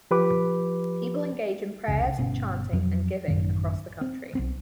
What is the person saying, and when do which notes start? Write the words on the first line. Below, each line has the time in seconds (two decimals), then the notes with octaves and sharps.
People engage in prayers, chanting and giving across the country.
0.11 F3 G4 B4 B5 D6
1.88 E1 C2 C#3
2.18 G1 B2 C#4
2.73 F2 F#3
3.28 A1 F#2 D#3
4.01 C4
4.35 B1 B3 C4